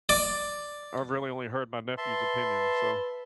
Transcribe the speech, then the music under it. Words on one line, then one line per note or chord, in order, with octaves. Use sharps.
I I've really only heard my nephew's opinion, so
D5
B4 E5 A5 C6